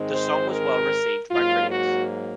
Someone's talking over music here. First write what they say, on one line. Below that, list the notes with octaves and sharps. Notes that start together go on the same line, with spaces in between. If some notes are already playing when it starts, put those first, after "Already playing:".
The song was well-received by critics.
Already playing: G#2 D#3 G#3 C4
C5
A#4
G#2 F#3 A#3 F4
F#4